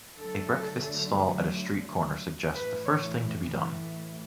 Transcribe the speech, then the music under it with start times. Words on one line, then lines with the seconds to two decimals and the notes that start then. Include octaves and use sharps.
A breakfast-stall at a street-corner suggests the first thing to be done.
0.17 D3 F#3 A3 A4
2.55 A2 E3 A3 B4
2.85 C#5